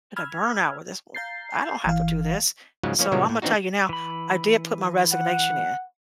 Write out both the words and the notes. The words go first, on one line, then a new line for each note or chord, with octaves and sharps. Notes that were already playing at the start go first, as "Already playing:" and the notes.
Gonna burn out with this one I don't have to do this. So, Imma tell you now, I did put my resignation in.
B5 E6 F6 G#6
F5 A#5 G6 A6 C7
G1 E3 F5
G#2 C#3 F3 F#3 G#3
F3 A#3 C#4 C#5
A#2 C#3 E3 F3 G3 G#3
A2
E3 B3 C4 D4 D#4 F#4
E3 B5
F#5